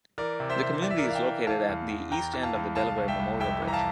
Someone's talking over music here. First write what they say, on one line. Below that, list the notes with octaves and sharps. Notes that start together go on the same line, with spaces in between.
The community is located at the east end of the Delaware Memorial Bridge.
E3 A#4 D5
C3
C5 E5
C3
E3 D5
E5
A#4 D5
E3
F5
E5 G5
E3
E3 F5 A5
E2
E2
E3 G5 A#5
E3
F5 A5
E2
C2 F5 A5
C2
E5 G5
C2
F2 E5 G5
E3
A#5
F5 A5